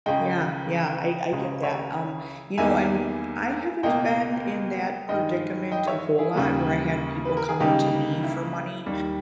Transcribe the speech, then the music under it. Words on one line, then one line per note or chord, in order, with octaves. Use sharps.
Yeah, yeah, I I get that, um, you know, and I haven't been in that predicament a whole lot where I had people coming to me for money.
C#2 C#3 G#3 D#5 G5
C#2 C#3 G#3
C#5 E5
E2 D#3 G3 A#3 E5 G#5
C#2 B2 A#3 D#5 G5
G2 D#3 G#3 D#5 G5
D#5 G5
C#5 E5
E4 G#4
D#2 C#3 G3 A#3
B4
A#4
G#4
C#2 C#3 G3 A#3 D#4 G4
E4
D#2 D#3 G3